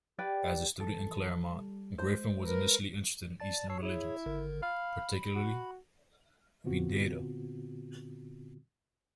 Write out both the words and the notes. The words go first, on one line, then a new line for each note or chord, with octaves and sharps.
As a student in Claremont, Griffin was initially interested in Eastern religions, particularly Vedanta.
G4 B4 D5 G5
E3 A4
G3
G#3 C5
A#4 B4
D5 A5 A6
C#5 A5 E6 C7
E4 G#4 C#5
G#1 D3 A#4
F5 B5
F#4
A#2 D3 B3 C4 F4 F#4